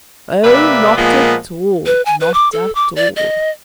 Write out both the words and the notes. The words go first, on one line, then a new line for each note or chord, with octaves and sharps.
"Oh, not at all, not at all!"
C3 A#3 B4 D5 E5
A#2 F3 G#3 A#3 B3
B4
G#5
B4
D6
A4
D6
D5
D#5